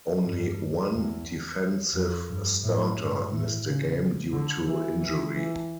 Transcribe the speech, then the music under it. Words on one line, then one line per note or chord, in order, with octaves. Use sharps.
Only one defensive starter missed a game due to injury.
G2
E2
F2
G2
A2
G2
A2
C#3
D3
E3
E3
E3